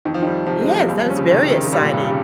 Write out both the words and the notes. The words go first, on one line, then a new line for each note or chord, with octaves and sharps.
Yes, that was very exciting,
F2 D#3
F3
D#3 G3
C3 F3
G#3
C3
F3
D#2 G3
F3
C#4
C#3
C3 D#3
D#3
C#3
C3 G3
A#2
G2 C3
C#3